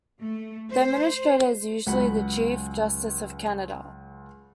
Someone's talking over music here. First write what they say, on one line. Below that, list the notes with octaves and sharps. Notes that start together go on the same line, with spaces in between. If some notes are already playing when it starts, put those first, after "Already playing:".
The Administrator is usually the Chief Justice of Canada.
A3
C5
C#2 F#3 F#5 B5